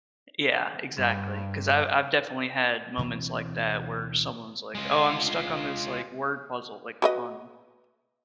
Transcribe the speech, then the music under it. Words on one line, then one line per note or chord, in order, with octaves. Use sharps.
Yeah, exactly. 'Cause I I've definitely had moments like that, where someone's, like, "Oh, I'm stuck on this, like, word puzzle," like on
G2
D2 B2 E3 C4
G#3 F4
F#4 B4 D#5